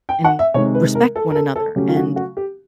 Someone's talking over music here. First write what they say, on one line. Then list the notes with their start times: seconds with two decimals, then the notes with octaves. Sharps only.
and respect one another, and
0.09 G5
0.24 F#5
0.39 E5
0.54 C3 D#3 G#3 C#5
0.75 B4
0.95 A#4
1.16 A4
1.30 A#4
1.35 A4
1.56 A4
1.76 C#3 F#3 A3 C#4 G4
1.88 F4
1.96 F#4
2.16 F#4
2.37 G4